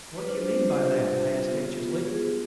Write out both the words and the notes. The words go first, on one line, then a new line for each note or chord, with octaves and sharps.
"What do you mean by that?" I asked, anxiously.
B4
G3 D4 F4 C5
C5
G4
G4
B3 F4
G#4